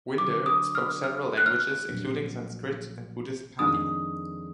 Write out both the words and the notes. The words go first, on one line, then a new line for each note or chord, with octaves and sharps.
Winder spoke several languages including Sanskrit and Buddhist Pali.
D3 F#3 D4 D6
D#6
F6
F6
F#6
F6
A#1 A#2 F#3
F2 D#3 G#3 D4 D#6